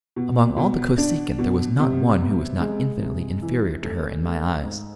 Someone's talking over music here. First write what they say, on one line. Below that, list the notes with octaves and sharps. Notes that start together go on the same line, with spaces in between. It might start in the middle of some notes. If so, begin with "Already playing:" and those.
Among all the Kosekin there was not one who was not infinitely inferior to her in my eyes.
B2
B2
D4
B2
C3
B3
G#3
C3
E3
A3
A3
G#2